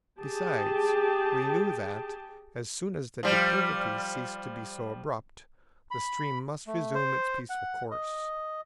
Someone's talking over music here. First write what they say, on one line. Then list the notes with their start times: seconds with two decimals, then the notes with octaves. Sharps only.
Besides we knew that, as soon as the declivity ceased to be so abrupt, the stream must resume its peaceful course.
0.18 G4 G#4 G5 A5
3.23 F3 G3
5.91 B5
6.67 A3
6.95 C5
7.50 F#5
7.91 D#5